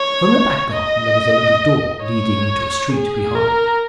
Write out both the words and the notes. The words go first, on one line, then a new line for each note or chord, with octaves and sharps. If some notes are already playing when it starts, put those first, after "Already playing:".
From the back garden there was a little door leading into a street behind.
Already playing: C#5
D#5
C#5
G#4
A#4